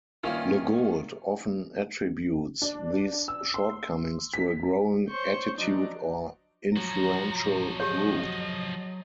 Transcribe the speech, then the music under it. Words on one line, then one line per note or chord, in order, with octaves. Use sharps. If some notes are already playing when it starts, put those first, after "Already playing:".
LeGault often attributes these shortcomings to a growing attitude or influential group.
G2 D#3 A#3 C#4 E4 F4
D4
E6
C6
B6
C5 C#5 C6 C#6 G6
F3 F#3 D4 D#4
F3 F#3 F#4 A#5
G4 G#4 C#5 D#5